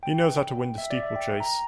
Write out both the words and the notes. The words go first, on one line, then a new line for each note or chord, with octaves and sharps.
He knows how to win the steeplechase.
G5
E5
D5
E5
G5
G5
A#5